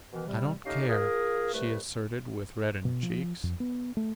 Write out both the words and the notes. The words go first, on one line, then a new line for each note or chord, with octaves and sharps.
"I don't care," she asserted with reddened cheeks.
B2 D#3 E3
C3 G3
A3 C#4 D#4 G4 D#5 F5
F4 G#4 A#4
C2 A3 B4
B2
F3
F2
B3
A3